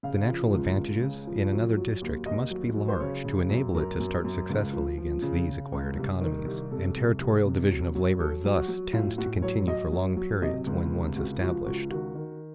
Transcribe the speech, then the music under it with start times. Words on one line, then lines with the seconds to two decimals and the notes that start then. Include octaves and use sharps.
The natural advantages in another district must be large to enable it to start successfully against these acquired economies, and territorial division of labor thus tends to continue for long periods when once established.
0.03 C#3 F5
0.29 F3
0.53 C#2
0.77 C#2
1.02 C#3
1.27 F3
1.53 F#3
1.77 F#3
2.01 D#2
2.26 D#2 D#5
2.51 F#3
2.76 F#3
2.88 C5
3.00 C#3 C#5
3.24 C#3
3.50 F#2
3.75 F#2 A#4
4.00 F#2
4.24 F#2
4.49 C#2
4.73 F3
4.98 F3
5.22 C#3
5.48 C#3
5.72 C#2
5.97 C2
6.21 D#3
6.46 C2
6.71 C3 A4
6.96 C2
7.20 C2
7.45 C3
7.70 F#3
7.95 F#3
8.20 F#3 A4
8.45 F#3
8.56 F#4
8.68 F#3
8.93 A2 F4
9.18 A2 F#4
9.42 F#3 C#5
9.67 F#3 D#5
9.92 F#3
10.17 F#3
10.41 C3 D#5
10.66 C#2
10.79 F4
10.91 C3
11.15 C#2 F#4
11.41 F3 F#4
11.66 C#2 F#4
11.90 D#3 F#4
12.15 D#3